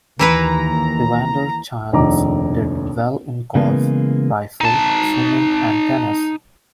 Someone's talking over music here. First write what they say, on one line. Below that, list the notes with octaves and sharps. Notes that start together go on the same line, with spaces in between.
Evander Childs did well in golf, rifle, swimming, and tennis.
D#2 E3 E4 B4 A#5
F1 A#1 D#2 D#5 A#5 D6
C#3 E3 G#3 A#3 B3
D#4 A5